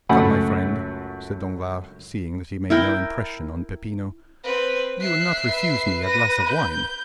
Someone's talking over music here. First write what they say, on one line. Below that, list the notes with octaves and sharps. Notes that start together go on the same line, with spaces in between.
"Come, my friend," said Danglars, seeing that he made no impression on Peppino, "you will not refuse me a glass of wine?"
C#2 F#2 A3 F#5 G#5 B5
E4 A#4 G5
C4 B4
E5 F#6 C7
B4
A#6 D#7
G6